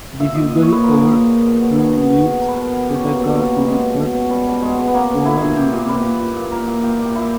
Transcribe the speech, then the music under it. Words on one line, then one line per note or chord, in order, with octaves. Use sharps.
The fugal overture leads attacca to the first choral movement.
A#2 E5
A#2 D#5
A#2 D#5
C#5
A#2 B4
A#2 A#4
G#4
A#2
A#2
A#2
B2
B2
B2 G#4
B2
B2
B2
B2 A#4
B4
B2 A#4
B2 G#4
B2 G4
C#4
B2 A#3
B2 A#3
B2 A#3
B2
G3
B2 G#3
B2
B2
B2
B2 G3
B2
B2 G#3
B2
B3
B2 A#3
B2
A#2 E4
A#2 G#4
A#2 G4
A#2
A#2 B4
A#2
A#2
A#2
A#2 A#4
A#2
A#2 G4
A#2
G4
A#2 E4